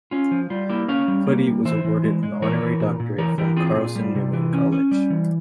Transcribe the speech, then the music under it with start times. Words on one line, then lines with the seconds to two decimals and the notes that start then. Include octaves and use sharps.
Foote was awarded an honorary doctorate from Carson-Newman College.
0.11 C#4 F4
0.31 F3
0.50 G3 F4
0.69 A#3 E4 G4
0.88 C#4 C#5 F5
1.08 G3
1.27 A#3
1.47 G3
1.65 E3 C5 E5
1.84 E3
2.04 G#3
2.23 G#3
2.42 E3 A#4 C#5
2.62 E3
2.80 A#2
3.00 A#2
3.18 E3 A#4 C#5
3.38 E3 G4 A#4
3.56 C4 F4 G#4
3.76 A#2
3.95 G3
4.15 C3
4.33 E3
4.53 C#4
4.72 C#4
4.91 G3
5.10 E3